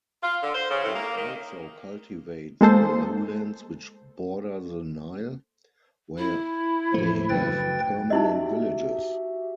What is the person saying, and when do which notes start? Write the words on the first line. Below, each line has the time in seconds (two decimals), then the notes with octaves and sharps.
They also cultivate the lowlands which border the Nile, where they have permanent villages.
0.22 F4
0.42 D3
0.54 C5
0.70 C#3
0.82 A2
0.95 A#3
1.16 D#3
2.61 G#3 A#3 A4 C5
6.17 E4
6.94 A2 E3 F3 A3
7.29 F#1 D2 B4 G5 A6
8.10 D#4 E4 F#4 G4 D#5 E5